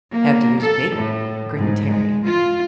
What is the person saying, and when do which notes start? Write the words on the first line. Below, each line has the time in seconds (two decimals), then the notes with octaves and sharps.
"Have to use bait," grinned Terry.
0.12 A#3
0.60 A4
0.95 A2
1.56 G#2
1.90 G#3
2.24 F4